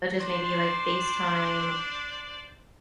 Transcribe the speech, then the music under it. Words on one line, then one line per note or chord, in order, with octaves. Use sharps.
such as maybe, like, FaceTime
D4 C5 D5 C6